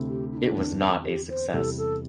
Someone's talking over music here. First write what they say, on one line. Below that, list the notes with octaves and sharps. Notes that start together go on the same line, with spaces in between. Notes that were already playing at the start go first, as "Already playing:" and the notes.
It was not a success.
Already playing: D2 C3 A3 C4 E4
G4
E4
D4
E2 D3 C4 E4
G4
C5
E2 C3 G3 E4 A4
A4